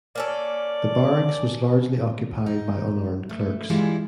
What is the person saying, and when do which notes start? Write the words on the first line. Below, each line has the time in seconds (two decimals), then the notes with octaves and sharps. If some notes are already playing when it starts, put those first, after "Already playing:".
The Barracks was largely occupied by unarmed clerks.
0.15 A#3 C#4 A4 D5
2.46 D#4
3.29 A3
3.70 E3 G3 G#3 E4 F4